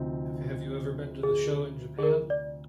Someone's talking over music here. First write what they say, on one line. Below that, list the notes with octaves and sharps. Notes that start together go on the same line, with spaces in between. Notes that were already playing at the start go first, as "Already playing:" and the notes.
Have you ever been to the show in Japan?
Already playing: D2 C3 F3 C4 D#4
G#4
G#4
A#4
D5